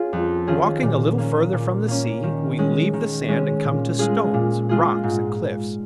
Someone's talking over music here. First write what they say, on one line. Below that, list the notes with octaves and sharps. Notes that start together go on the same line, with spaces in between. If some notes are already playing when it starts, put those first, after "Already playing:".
Walking a little farther from the sea, we leave the sand and come to stones, rocks and cliffs.
Already playing: C#4 F4 G#4
F2
D#3 C#4 F4 G#4
A#2
A#3 C#4
A#2
A#3 C#4
D#3
G#3 C#4
D#3
G#3 C#4
A#2
G#3 F4 G#4
A#2
G#3 F4 G#4
G#2